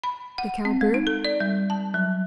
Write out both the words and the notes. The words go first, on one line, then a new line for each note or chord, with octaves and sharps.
The Cow Bird.
B5
F#5
C4
G#3
D#4
A4
D5
G3
A5
F#3